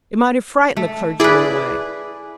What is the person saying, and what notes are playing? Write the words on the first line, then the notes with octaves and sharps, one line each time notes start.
It might have frightened the clergymen away.
A3
E4 G#4 B4 D5